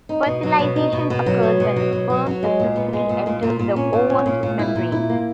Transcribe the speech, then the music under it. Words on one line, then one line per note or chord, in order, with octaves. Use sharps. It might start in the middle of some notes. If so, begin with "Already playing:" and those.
Fertilization occurs when the sperm successfully enters the ovum's membrane.
D#4
B2
F#3
B2
D#4
B2
B2
F#3
B2
B2
F#3
B2
F#3
F#3
G#3
A#2
B3
G#3
A#2
A#2
A#2
A#2
C#4
A#2
C#4
A#2
A#2
E4
A#2
E4
A#3